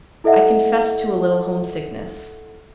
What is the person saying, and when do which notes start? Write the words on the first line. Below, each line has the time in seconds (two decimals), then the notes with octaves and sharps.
I confessed to a little homesickness.
0.24 E4 A4 D#5 E5 F#5